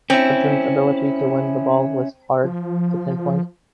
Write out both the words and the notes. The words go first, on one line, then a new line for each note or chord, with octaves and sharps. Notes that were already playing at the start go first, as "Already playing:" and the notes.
Hudson's ability to win the ball was hard to pinpoint.
C4 C#4 E4
F3